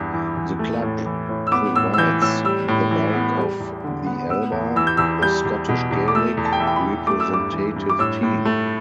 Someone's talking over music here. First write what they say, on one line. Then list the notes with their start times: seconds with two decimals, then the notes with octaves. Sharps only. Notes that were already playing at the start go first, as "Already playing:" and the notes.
The club provides the bulk of the Alba, the Scottish Gaelic representative team.
Already playing: E2 G2 B3
0.13 E3
0.37 E2
0.59 A3
0.82 A2
1.06 E3
1.29 A2
1.47 E6
1.52 B3 D6
1.76 A2 E6
1.94 E6
1.98 E3 G6
2.21 A2 E6
2.44 G3 E6
2.68 A2
2.91 E3
3.13 B3
3.37 G3
3.60 E2
3.84 D3
4.06 B3
4.30 B3 E6
4.52 E2
4.76 E3 E6
4.87 G6
4.97 E2 E6
5.22 G3 G6
5.45 E2
5.69 B2
5.91 E2
6.08 D6
6.15 A3 E6
6.37 E2
6.45 A5
6.53 G5
6.60 E3 E5
6.67 G5
6.76 B5
6.84 E2
7.07 A3 D6
7.20 E6
7.29 G2 D6
7.53 E3
7.76 G2
7.90 D6
7.99 A2 E6
8.23 A2
8.45 A3